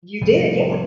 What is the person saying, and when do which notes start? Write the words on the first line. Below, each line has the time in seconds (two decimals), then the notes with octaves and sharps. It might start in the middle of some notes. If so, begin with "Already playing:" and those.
You did. Yeah.
0.21 C3 F3 G3